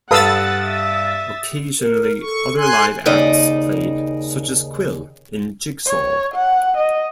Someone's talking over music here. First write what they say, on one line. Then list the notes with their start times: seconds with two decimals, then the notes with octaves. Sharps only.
Occasionally other live acts played such as Quill and Jigsaw.
0.11 G2 A4 B4 F5 F#5 D#6 E6 A6
0.64 E5
1.80 A#4
2.22 A4 C#6
2.57 G#5 C6 F#6
3.06 D#2 C#3 D#4 D5 D#5
5.86 C#5
6.35 F#5
6.77 D#5